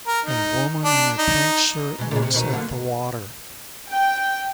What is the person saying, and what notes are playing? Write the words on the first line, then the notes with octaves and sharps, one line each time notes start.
A woman in a pink shirt looks at the water.
A#4
D#4
D4
D#4
B2 G#3
A#2 G#3
C3
B2 D#3 D#4
D3 F#3 A#3
G5